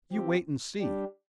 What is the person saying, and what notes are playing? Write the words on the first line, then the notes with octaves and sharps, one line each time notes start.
You wait an' see.
F3 C4 G4
G3 D4 G4